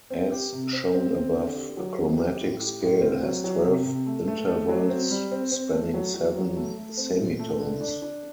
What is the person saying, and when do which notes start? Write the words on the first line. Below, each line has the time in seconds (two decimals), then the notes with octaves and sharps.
As shown above, a chromatic scale has twelve intervals spanning seven semitones.
0.10 C4
0.32 G4
0.52 C3
0.73 C4
0.94 C4
1.15 C4
1.35 D3
1.56 G4
1.77 F#3
1.98 C4
2.19 G4
2.40 A2
2.61 G4
2.81 A2
3.02 C4
3.23 F#3
3.44 F#3
3.64 C3
3.85 C3
4.06 A3
4.28 A3
4.48 A3
4.69 F#3
4.89 C4
5.10 G3
5.31 C4
5.51 C4
5.72 A3
5.94 F#3
6.14 F#3
6.35 F#3
6.56 A3
6.77 A3
6.97 C4
7.19 A#2
7.39 A3
7.60 D3
7.81 D4
8.02 D4